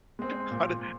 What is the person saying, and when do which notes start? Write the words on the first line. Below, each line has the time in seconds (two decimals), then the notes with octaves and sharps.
How did
0.19 G#3 C4
0.51 A#2